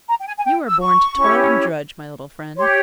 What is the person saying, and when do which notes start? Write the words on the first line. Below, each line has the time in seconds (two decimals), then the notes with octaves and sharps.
You are born to toil and drudge, my little friend.
0.08 A#5
0.20 G5
0.27 G#5
0.38 G#5
0.45 G5
0.68 E6
0.80 C#6
1.16 C#4 E4 G4 C#5
2.57 G4 C#5 C6